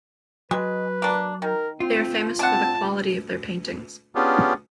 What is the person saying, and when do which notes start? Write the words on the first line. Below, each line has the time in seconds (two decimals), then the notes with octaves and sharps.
They are famous for the quality of their paintings.
0.51 F#3 G#3 B4
1.02 A#3 D4
1.42 D#3 A#4
1.80 C4 F4
2.39 C4 D4 F#5 A5
4.15 B3 C#4 D4 F4 G4 G#4